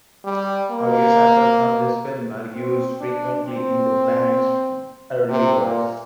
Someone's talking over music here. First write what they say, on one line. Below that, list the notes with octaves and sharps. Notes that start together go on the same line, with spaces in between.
Audio samples from this film are used frequently in the band's early works.
G3
A#3
C4
D4
C4
C3
A#2